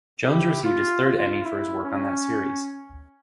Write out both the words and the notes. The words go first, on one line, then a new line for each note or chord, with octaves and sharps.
Jones received his third Emmy for his work on that series.
E4 G4
F4
F4
E4
C#4